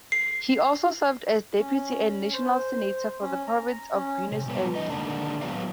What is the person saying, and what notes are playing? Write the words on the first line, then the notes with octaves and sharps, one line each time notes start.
He also served as deputy and national senator for the Province of Buenos Aires.
C7
C#4
C5
C#4
A#5
C#4
C3
B2 G3 B3 B4
F2 C#4 D#4 D#5
D3 D#3 G#3 A#3 D4
A2 F#3 B3 B4 F5